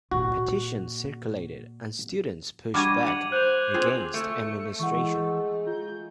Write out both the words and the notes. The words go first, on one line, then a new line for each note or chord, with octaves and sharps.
Petitions circulated and students pushed back against administration.
A#2 F#4
G3 D4 F#4 D6 G#6 D#7
F#5 F7 F#7
C5 F#6 G6 F7
C4 F4 G#4 C5
A3 C#7
E3 G#3 F#5 C#6
F4 G6